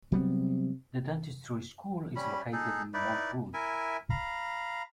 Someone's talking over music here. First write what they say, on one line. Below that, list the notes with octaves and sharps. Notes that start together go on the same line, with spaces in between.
The dentistry school is located in Montrouge.
C3 F#3 G3 B3
G3 C#4 B5
D#4 G#4 A4
D#4 E4 B4 D5
E4 A#4 E5 G#5
F5 A#5 B5